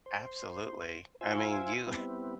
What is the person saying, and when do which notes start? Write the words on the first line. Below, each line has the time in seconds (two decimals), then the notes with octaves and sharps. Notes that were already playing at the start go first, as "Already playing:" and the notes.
Absolutely. I mean, you
0.06 C5
1.21 F4 C5 E5 G#5
1.87 G3 B3 C4 E4